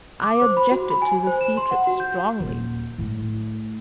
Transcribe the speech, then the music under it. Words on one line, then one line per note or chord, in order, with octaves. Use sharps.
I objected to the sea trip strongly.
D6
C5
B5
F#4
B5
G#5
C5
E7
C6
F#5
F#4
G6
D#1
A2